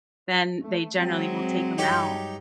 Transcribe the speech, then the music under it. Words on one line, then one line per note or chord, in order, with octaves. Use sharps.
then they generally will take them out.
A3
F#3 G#3 C4
G2 D#4 G4 C#5